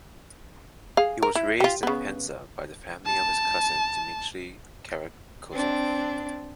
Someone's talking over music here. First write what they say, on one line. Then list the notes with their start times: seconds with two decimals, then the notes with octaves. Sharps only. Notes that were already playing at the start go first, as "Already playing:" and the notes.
He was raised in Penza by the family of his cousin Dmitry Karakozov.
0.97 G#4 F5
1.23 A#4
1.35 E4
1.60 F4 G4
1.83 C#3 B3
3.06 A5
5.52 C4 D4